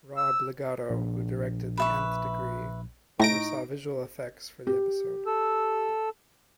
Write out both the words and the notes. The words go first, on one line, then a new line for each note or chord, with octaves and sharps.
Rob Legato, who directed "The Nth Degree", oversaw visual effects for the episode.
E6
A#1
B4 E5 C#6
A2 D#4 C#6 A#6 D7
G4
A4 E6